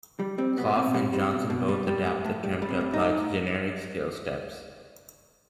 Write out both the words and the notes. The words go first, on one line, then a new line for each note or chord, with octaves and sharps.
Clough and Johnson both adapt the term to apply to generic scale steps.
G3
G3 C4
B2 B3
B2 C4
G3
G3
B2
B2
G3
G3
A2
A2
G3
G3
C4
A2
D#4
A2